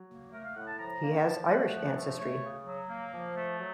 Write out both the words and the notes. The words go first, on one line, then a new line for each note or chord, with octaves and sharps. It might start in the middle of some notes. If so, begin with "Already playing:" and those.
He has Irish ancestry.
Already playing: F#3
A#3
A3 A#4
F5
A2 F#5
A5
F3 A#5
A#3
F3 A5
A3 F#5
F3
A3
A3 C#5
C#3
F#3
A#3
F3
A3
F#3